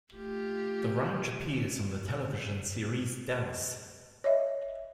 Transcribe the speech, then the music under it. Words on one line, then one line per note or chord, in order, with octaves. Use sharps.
The ranch appears in the television series "Dallas".
A3 F4 G4
C#5 D#5 E5